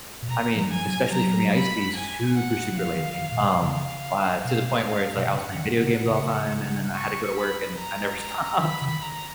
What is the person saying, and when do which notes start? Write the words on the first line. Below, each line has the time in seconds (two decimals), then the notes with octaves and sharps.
I mean, especially for me, I used to be super, super lazy, um, uh, to the point where it's like I was playing video games all the time, and then I had to go to work, and I never stopped.
0.22 A#2
0.28 B2 A#5
0.56 F3
0.64 F#3
0.70 F3 G#5
0.84 F#3
1.11 F#3 A#5
1.53 B5
1.95 G#5
2.36 F#5
2.71 F#3
2.78 F3 F5
2.93 F3
2.99 D#3
3.20 D#3
3.32 A#2
3.40 B2
3.61 C#3 F5
4.44 B2 F5
5.16 B2
5.27 C#3 F#5
5.55 D#3
5.78 B2
5.83 C#3
6.06 B2
6.11 C#3
6.94 C#6
7.36 B5
7.78 A#5
8.19 A#5
8.60 D#3 B5
8.82 C#3
8.88 D#3
9.02 A#5